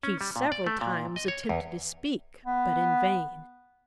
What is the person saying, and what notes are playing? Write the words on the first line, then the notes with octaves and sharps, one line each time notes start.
She several times attempted to speak; but in vain.
C#4
G3
A#2
D5
A3
A#2
D#5
C#5
E2
B3